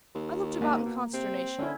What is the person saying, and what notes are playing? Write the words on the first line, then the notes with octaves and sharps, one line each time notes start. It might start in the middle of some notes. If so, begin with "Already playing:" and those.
I looked about in consternation.
D#2
G#2 A#3
B2
C3 C4
D3 C#4 E4